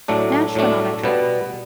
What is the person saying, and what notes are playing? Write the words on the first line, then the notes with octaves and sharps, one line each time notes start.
Nash went on the trip.
A2 F#3 A3 D4
A2 F#3 A3 D4
B2 G3 B3